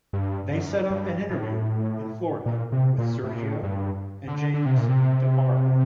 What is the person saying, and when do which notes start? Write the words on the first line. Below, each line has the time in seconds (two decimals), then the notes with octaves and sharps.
They set up an interview in Florida with Sergio, and James "Da Barba".
0.13 G2
0.52 F#2
0.90 G2
1.30 A2
2.46 A#2
2.72 C3
2.98 A#2
3.24 A2
3.34 A#2
3.43 A2
3.63 G2
4.28 D3
4.54 D3
4.66 C3
4.77 A#2
4.89 C3